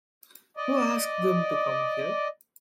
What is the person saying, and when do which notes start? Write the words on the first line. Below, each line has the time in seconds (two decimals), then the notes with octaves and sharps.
Who asked them to come here?
0.57 D5 D#5